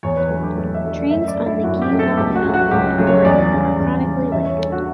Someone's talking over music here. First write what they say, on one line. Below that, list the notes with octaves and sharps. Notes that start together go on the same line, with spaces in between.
Trains on the Geelong - Melbourne corridor are chronically late.
E2 C#5
B4
D3 F#3 A3
G4
E2 A4
E5
D3 F#3 A3
D5
F#2 E5
D5
D3 F#3 A3
E4
F#2 F#4
G4
D3 F#3 A3
A4
C#2 G4
F#4
C#3 F#3 A3
F#4
C#2 G4
C#3 F#3 A3
C#5
E2 D5
C#3 G3
E2
C#3 G3
E2 E5
C#5
D3 G3 A4
F#4